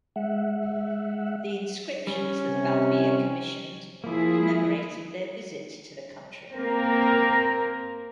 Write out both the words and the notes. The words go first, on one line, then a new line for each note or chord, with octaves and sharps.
The inscriptions that Balbilla commissioned commemorated their visit to the country.
G#3 E5 F#5
G3 C#4
C3
F3 A#3 E4 G#4
A#3 C4 A#4